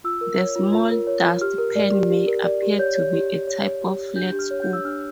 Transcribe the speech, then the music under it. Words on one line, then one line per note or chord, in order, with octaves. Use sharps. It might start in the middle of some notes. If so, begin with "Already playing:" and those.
The small dustpan may appear to be a type of flat scoop.
F4 E6
A#4
C#5
F4
F4
A#4
C#5
F4
G4 F6
A#4
D5
G4
G4
A#4
D5
G4
C#5 G6
C#5
G4
G4
C#5
C#5
G4
G4
D4 G6
G4
F6
C#5
G6
D4
E6
D4 F6